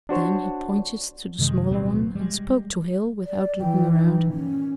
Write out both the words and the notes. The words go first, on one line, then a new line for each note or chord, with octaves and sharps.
Then he pointed to the smaller one and spoke to Hale without looking around.
D4 F#4 C5 C#5
F#1 C3 D#3 G#3
D1 B2 F#3 C4
G3 G#3
D5
E3 G5
D#4
A#2 C#4